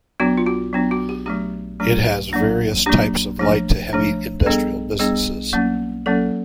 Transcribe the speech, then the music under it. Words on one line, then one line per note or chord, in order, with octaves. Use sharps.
It has various types of light to heavy industrial businesses.
F#3 B3 D4 F#4
F4
F#4
F#3 B3 D4
F#4
G4
F#3 A3 D4 G4
F#3 A3 D4
F#3 A#3 D4
F#3 A#3 D4 G4
F3 A3 D4
F3 A3 D4
A4
G3 B3 D4 G#4
G3 B3 D4 G#4
F#3 A#3 C#4
F#3 A#3 C#4 A4